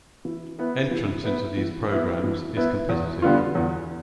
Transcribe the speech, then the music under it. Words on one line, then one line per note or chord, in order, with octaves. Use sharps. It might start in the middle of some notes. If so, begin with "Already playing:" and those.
Entrance into these programs is competitive.
E3
B3 E4 B4
E3
B3 E4 B4
E3
B3 E4 B4
E3
B3 E4 B4
E2
D3 G3 B3 F4
E2